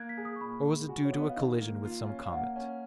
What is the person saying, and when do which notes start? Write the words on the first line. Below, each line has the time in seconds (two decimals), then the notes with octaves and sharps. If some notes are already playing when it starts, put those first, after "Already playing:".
Or was it due to a collision with some comet?
Already playing: A#3 F#6 G#6
0.09 B6
0.17 G#4
0.25 D#6
0.36 C#6
0.41 A#2 B5
0.65 G#3
0.89 F#4 G#5
1.05 C#5
1.13 B3
1.20 D#5
1.30 F5
1.36 D#3 D#5
1.61 A#3
1.84 F4
2.09 C#4
2.25 F5
2.33 A#3 F#5
2.56 C#4